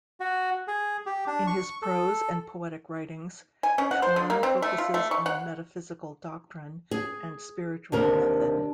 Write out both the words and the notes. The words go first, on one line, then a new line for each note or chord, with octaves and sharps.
In his prose and poetic writings, Schuon focuses on metaphysical doctrine and spiritual method.
F#4
G#4
G4
D4
C#6
A4
G#5
C#4
F#5
C5
D3
A#3
C4
A3
F4
A3
C#6
F#5
G#4
D#2 C3 D4 A#4